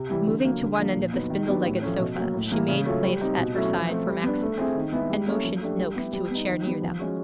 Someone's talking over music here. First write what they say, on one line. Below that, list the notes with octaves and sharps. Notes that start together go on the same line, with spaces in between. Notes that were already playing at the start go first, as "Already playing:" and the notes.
Moving to one end of the spindle-legged sofa, she made place at her side for Maxineff, and motioned Noakes to a chair near them.
Already playing: C3
E3 G3
D3
F#3 A#3
D3
F3 A#3 D4
A#2
F#3 B3 D#4
D#3
F#3 B3 D4 G4
A2
F3 A3 C#4
B2
F#3 A#3
A2
E3 G3 A#3
C#3
F#3 A3 C#4 F4
G3
C4 D#4 G4
B2
F#3 A3 C#4 E4
F3
A3 C4
G3
B3 D4
A3
C4 E4 G#4
D#3
G#3 B3 E4 G#4
G3
A#3 C#4 E4 A4
F3
A3 D4 G4
G3
B3 E4 G4
G3
B3 D#4
D#3
G3 B3
F3
G#3 C#4 F#4